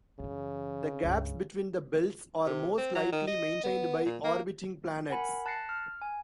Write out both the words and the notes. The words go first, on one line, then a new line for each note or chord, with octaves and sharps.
The gaps between the belts are most likely maintained by orbiting planets.
F#2 C#3 E3
C#2 G2
C3
C4
F#3
D#3
D#5
B3
A#2
A#3
A#4 F#5 G#5 B5
A5 F#6 A6 A#6 C7 C#7
F6
G#5